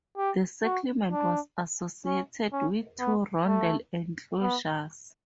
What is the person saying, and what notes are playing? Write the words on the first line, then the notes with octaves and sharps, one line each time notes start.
The settlement was associated with two rondel enclosures.
G4
F#4
D4
C#4
C#4
B3
A3
B3